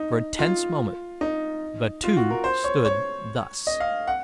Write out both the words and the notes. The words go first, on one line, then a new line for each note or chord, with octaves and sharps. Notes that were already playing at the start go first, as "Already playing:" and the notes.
For a tense moment the two stood thus.
Already playing: D#4
F4
D#4
F4
F#4
A#4
C5
C#5
C#5
D#5
F5
F#5